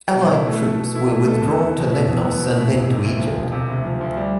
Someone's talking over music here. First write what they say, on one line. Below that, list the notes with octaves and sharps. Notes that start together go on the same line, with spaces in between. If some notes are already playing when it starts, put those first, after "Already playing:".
Allied troops were withdrawn to Lemnos and then to Egypt.
B2
E4
A3
A4
B2
E4
A3
A4
E2
B3
B2
E4
E2
B3
B2
E4
E1
C3
D2
F3
E1
C3
D2
F3
D2
G3